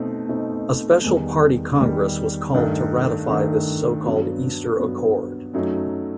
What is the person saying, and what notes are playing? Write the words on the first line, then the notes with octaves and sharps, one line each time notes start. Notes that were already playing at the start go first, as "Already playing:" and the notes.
A special party congress was called to ratify this so-called Easter Accord.
Already playing: B2 A3 C4 D#4
B2 A3 C4 D#4
E2 D#3 G3
E2 D#3 G3
G2 D#3 A3
G2 D#3 A3
G2 F#3 B3
G2 F#3 B3
F#2 F#3 A3 D#4